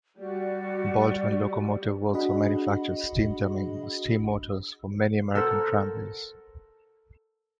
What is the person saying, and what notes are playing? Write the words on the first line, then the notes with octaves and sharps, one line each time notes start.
Baldwin Locomotive Works manufactured Steam Dummy or Steam Motors for many American tramways.
G3 F#4 D5
D4 F#4 G#4 D#5 F#5 B5
A4 A#4 C5 F#5